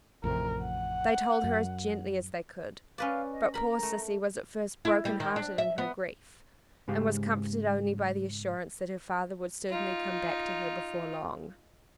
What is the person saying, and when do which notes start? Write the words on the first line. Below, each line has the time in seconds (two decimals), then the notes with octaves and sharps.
They told her as gently as they could, but poor Sissy was at first broken-hearted in her grief and was comforted only by the assurance that her father would certainly come back to her before long.
0.24 A1 F2 C3 A#4
0.61 F#5
1.44 F#2
2.98 C#4 B4 D5 F5
3.31 D#5
3.54 A#4 A#5 B5
3.83 A3
4.85 E4
5.05 G3
5.20 D#3
5.36 D4
5.58 E5
5.78 B3
6.88 G#2 C#3 G#3 G4 F5
9.69 D#4 F4